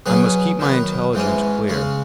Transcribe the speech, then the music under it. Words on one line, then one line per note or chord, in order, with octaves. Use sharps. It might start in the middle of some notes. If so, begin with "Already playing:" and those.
I must keep my intelligence clear.
B2 F#3 C#4 G#4
D#3 F#3 B3
G#2 E3 G#3 C#4
C#3 G#3 C#4